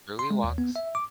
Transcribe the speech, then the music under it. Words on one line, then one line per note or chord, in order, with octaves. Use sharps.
Early walks.
C6
G#3
D#2
B3
E5
D6